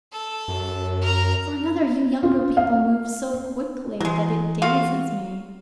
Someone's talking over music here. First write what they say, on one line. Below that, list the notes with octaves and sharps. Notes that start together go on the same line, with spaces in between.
For another, you younger people move so quickly that it dazes me.
A4
F#2
A#4 A#5
F4
F5
E3 F#3 G#3
F4 F#4 F5